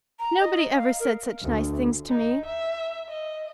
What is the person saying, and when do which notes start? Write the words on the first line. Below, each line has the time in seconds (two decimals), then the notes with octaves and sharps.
Nobody ever said such nice things to me.
0.20 A#5
0.41 D#5
0.76 F5
1.00 A#4
1.43 D2
2.10 D#4
2.46 E5
3.09 D#5